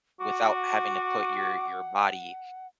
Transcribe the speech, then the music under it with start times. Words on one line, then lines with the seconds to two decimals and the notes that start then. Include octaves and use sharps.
without having to put your your body,
0.20 F#4 F#5 D6